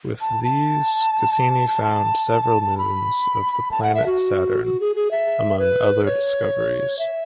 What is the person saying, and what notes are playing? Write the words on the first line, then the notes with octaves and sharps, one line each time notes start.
With these Cassini found several moons of the planet Saturn, among other discoveries.
A5
A5
A5
B5
A5
F#5
E5
F#4
F#4
G#4
G#4
E5
B4
C#5
E5